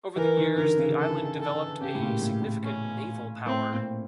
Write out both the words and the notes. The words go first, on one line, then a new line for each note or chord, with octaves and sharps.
Over the years the island developed a significant naval power.
E3 A#4
D#3
D3 A#4
C#3
A4
A4
C#3 G4
A2
A#2
A2
A2
C#4
A2 C4
A#2